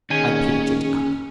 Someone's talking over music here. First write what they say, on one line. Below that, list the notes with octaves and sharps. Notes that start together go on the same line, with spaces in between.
I picked it up.
D#3 A#3 C#4 G#4 G#5